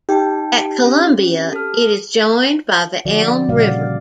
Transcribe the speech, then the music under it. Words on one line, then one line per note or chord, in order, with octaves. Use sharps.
At Columbia, it is joined by the Elm River.
D#4 G4 G5 A5
C4 C#4 F#4
A4 F6
D3 F3 F#4 D5
A#2 C#3 G3 F#4 D5 F5